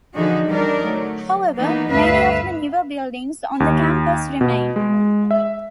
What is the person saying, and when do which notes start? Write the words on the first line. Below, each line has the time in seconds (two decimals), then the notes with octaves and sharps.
However, many of the newer buildings on the campus remain.
0.15 D3 E3 F3 D#4 F#4 G#4
0.47 G3 D4 D#4 A#4 D5
0.83 F#3 A3
1.55 E3 A#3 B3 D#4
1.90 D2 G2 A3 B4 E5 F5
3.60 D#2
4.41 B2
4.76 G#3
5.31 E5